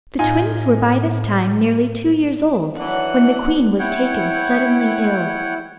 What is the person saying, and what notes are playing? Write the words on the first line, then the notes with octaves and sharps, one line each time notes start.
The twins were by this time nearly two years old, when the queen was taken suddenly ill.
A2 D#4 F4 G#5
E3 F#3 D4 F#5
E4 C#5 F#5 G5